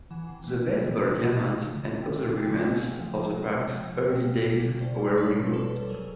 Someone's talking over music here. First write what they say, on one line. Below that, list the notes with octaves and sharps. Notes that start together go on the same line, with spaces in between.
The baseball diamond and other remnants of the park's early days were removed.
E3 F#5 G#5
C3
A3
C3
E3
C3
A3
C3
F3
C#3
A3 F5 G5
C#3
F3 G5
G#5
C#3 F5 G5
A3 F#5 G#5
C#3
F3 F5 G5
C3
G#3 F5 G5
C3
F3 F5 G5
C3 F#5 G#5
G#3 F5 G5
C3
G3 F5 G5
B2
B2 C5 D5
G3
G3 B4 C#5
B2
B2 A4 B4
G3
F#3 G#4 A#4